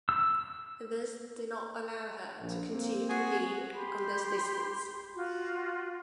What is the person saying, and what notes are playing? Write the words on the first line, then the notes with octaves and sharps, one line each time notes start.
This did not allow her to continue competing on this distance.
E6
A#1
A#3 C4
F#4 G#4 G#5
G4 B5 C6
F4 F#4